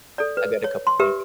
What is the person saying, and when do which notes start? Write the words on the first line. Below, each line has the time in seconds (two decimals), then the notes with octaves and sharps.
I've got a couple of paintings,
0.18 A4 D5
0.37 B4
0.64 C#5
0.87 C6
1.00 G4 A#4 B4 E5